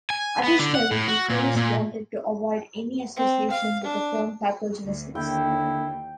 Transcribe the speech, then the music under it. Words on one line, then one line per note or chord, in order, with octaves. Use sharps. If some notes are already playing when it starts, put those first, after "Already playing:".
Additionally, Nicholas wanted to avoid any association with the term pathogenesis.
G#5
B3
D3
F#5
A2
F#4
A#2
A#2
C4
F5
D4
D2
D#2 D3 E4 G5